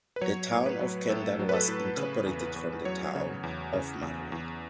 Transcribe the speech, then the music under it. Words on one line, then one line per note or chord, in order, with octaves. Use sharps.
The Town of Kendall was incorporated from the Town of Murray.
B4
F#3 C#5
A2
B4
F#3
A2 A4
F#3
B4
A4
A2
C#3 B4
E2
B4
E2
F#3 C#5
C#3
E2
C#3
E2
E2